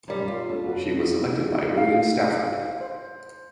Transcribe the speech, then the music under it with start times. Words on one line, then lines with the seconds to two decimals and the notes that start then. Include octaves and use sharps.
She was selected by William Stafford.
0.08 F#2 G3
0.28 F4
0.49 D4 A4 C#5
0.64 F4 F#4 B4
1.77 F5
2.81 C5